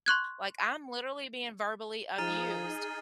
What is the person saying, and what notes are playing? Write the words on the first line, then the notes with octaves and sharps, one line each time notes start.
like I'm literally being verbally abused
C6 C#6 F#6 G#6
F3 D#4 G#4 A#5 F6 A6 D#7